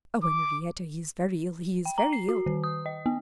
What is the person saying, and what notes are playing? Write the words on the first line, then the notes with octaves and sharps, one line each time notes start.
Oh, Henrietta! he is very ill--he is very ill!
D6
G5
A#5
C7
F#4
D#3
D#6
D#5
B3